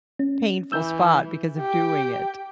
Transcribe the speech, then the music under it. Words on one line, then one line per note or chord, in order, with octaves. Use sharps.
painful spot because of doing it.
C#4
E3 E6 G6
G4 G5